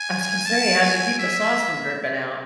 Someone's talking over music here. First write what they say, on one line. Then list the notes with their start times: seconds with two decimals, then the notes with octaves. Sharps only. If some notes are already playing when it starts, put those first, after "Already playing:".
I was gonna say, how do you keep the sauce from dripping out?
Already playing: G#5
0.46 A5
0.83 G#5
1.19 E5